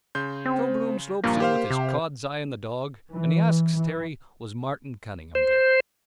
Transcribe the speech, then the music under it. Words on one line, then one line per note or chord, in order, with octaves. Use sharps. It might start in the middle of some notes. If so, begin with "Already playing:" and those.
So Bloom slopes in with his cod's eye on the dog and he asks Terry was Martin Cunningham there.
C#3 C6 G6
C4
G2 A#2 F3 A#3
G4 C5 F5
C3
E3
E3
C5